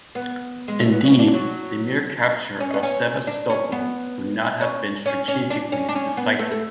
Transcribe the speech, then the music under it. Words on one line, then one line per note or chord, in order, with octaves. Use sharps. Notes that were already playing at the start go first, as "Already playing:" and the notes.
Indeed, the mere capture of Sevastopol would not have been strategically decisive.
B3
G#3
A3
B3
C#4
D4
F#3
C#4
B3
C#4
D4
C#4
B3
C#4
C#4
C#4
D4
C#4
D4
C#4
B3
A3
A3